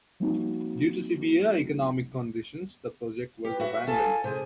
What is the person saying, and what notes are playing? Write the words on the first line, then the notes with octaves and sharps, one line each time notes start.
Due to severe economic conditions the project was abandoned.
F3 G3 A#3 C4 D#4 F#4
G4 B4
F#4 E5
F4 A4 G#5 A5
C3 G#4 C5